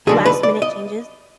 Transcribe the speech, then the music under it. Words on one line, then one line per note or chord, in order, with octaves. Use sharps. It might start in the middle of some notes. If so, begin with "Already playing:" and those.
last minute changes,
D#2 D3 F#3 G#4
B4
D5
D#5